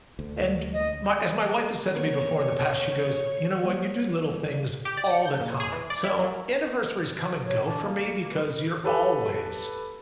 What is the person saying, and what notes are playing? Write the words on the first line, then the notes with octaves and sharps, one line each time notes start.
and my as my wife has said to me before in the past, she goes, you know what, you do little things all the time. So, anniversaries come and go for me because you're always
D2
D#5
A#3 B3 A#4 C#5
G3 A#3
G4
D5
C#7
G6
A#2
G#4
E3
D5
E4
F#3
C#5
D4
A#3
B4
G4 A4 B4